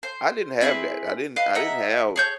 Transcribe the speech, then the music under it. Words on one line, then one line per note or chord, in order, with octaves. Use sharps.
I didn't have that I didn't I didn't have
C5
C4 E4 G#4 B4
B4 D#5 F5
D#5 E5 F#5 A#5
G#4 C#5 G6